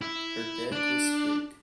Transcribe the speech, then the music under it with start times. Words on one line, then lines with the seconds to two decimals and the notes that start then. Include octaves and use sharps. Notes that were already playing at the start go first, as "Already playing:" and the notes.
Her deck was thick.
0.02 E4
0.72 D4